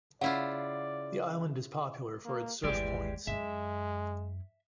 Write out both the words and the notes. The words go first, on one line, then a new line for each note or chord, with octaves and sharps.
The island is popular for it's surf points.
C#3 E4 F4 D5 F5 F#5
A#3
G1 D#2 E3 G#3 G4 D5
F#2 G#3 E4 E5